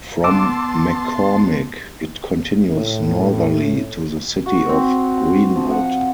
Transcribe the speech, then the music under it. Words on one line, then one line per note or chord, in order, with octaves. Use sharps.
From McCormick, it continues northerly to the city of Greenwood.
B3 A5 C6 D6 E6
A2
F#4
C4
F3
F#5